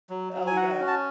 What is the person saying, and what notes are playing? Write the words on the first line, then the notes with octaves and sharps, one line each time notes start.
Oh, yeah.
F#3
F#3
G#5
F#4 F#5
C#4
A5